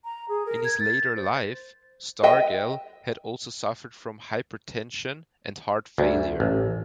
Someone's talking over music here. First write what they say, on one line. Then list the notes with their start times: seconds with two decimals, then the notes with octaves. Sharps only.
In his later life, Stargell had also suffered from hypertension and heart failure.
0.04 A#5
0.29 G#4
0.46 A#4
0.65 G#6
0.80 A6
1.16 C5
2.23 D#5 E5 G5
5.98 D2
6.40 A1